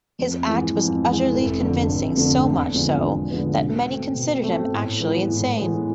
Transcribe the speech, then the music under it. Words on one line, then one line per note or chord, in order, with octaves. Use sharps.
His act was utterly convincing, so much so that many considered him actually insane.
F2
E3 G#3
F2
E3 G#3
F1
F2 D3 A3
F1
F2 D3 A3
E2
D3 F3 G#3 B3
E2
D3 F3 G#3 B3
B2
C4
A3
B2
A3 C4
A2
E3 G#3 B3
A2
E3 G#3 B3